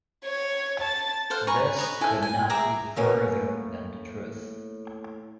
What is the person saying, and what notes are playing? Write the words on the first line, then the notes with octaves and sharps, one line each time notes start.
This could not be further than the truth.
C#5
A5 A6
A4 C5 F5 F#5
B4 G#5 A#5 C#6
B4 C#5 D#5
E4 F4 A4 G#5
G#5
G#4 E5 A#5 D6
A2 A#3 C#4